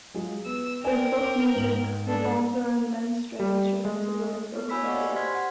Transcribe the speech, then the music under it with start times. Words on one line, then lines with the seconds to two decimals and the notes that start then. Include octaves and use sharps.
Their folk music revolves around men's string instruments and women's vocal music.
0.14 F#3 G#3 F4
0.46 B3 E6
0.84 B3 A#4 D5 G5 G#5
1.19 C5 D6
1.55 G#2 F#7
2.07 G#3 D4 A4
3.40 G3
3.85 G#3
4.55 B3
4.70 F#4 C#5 G#5 B5 E6 B6
4.83 D5 D#5 F5 F#5 C#6
4.97 G4 C5 G#5
5.16 C6 F6 G#6 B6
5.35 F#5